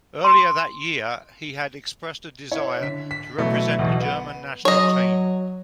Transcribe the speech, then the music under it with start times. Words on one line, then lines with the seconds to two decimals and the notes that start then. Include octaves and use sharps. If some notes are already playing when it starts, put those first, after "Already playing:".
Earlier that year, he had expressed a desire to represent the German national team.
0.24 C6
2.51 E4 C#5
2.81 D3 B6
3.11 B6
3.38 B2 E3 F#3 A3 B3
3.79 B1 E2 B2
4.00 B3 F#5
4.65 F#3 C#5 D#5